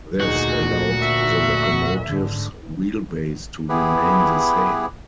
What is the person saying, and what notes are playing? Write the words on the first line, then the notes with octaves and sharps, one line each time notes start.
This allowed the locomotive's wheelbase to remain the same.
D2 A#2 D#4 F#4 G#4
E5
G#2 D3
B3 E4 G4 G#4 B4